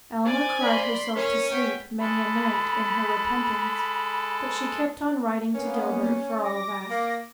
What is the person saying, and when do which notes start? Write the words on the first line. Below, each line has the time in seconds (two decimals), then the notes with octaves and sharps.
Alma cried herself to sleep many a night in her repentance, but she kept on writing to Gilbert, for all that.
0.25 C5 D5 G#5
0.62 D5 B5 C6
1.15 C#4 A#4 C#5
1.51 B3 G5 B6
2.00 G#3 A4 B5
5.55 A#3 B3 C#4
6.44 D6 A#6
6.90 A#3